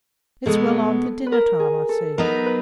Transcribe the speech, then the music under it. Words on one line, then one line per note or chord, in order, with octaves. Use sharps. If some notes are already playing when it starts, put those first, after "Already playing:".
It's well on to dinner-time, I see.'
B2 G#3 B3 A4
B4
A#4
G#4
A4
F#3 B3 D#4 A#4
B4